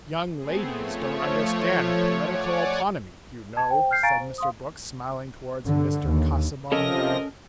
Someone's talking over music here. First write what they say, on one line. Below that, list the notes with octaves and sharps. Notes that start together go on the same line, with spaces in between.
"Young ladies don't understand political economy, you know," said Mr. Brooke, smiling towards Mr. Casaubon.
A3 B3 C4 G#4
F3 A3 C#5
C#5 D5 F#5 G#5 D6
A5 G#6
C5 G5
F6 G6 C7
F5 G#5 A#5 C#6 A6 D7
C5
F5 C6 D#6
G2 D3
D#2
C3 F3 C#4 A4 A#4 D#5 A#6